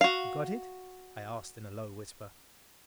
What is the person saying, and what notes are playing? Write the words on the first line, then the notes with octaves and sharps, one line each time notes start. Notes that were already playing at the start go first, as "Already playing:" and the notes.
"You got it?" I asked in a low whisper.
F#4 F5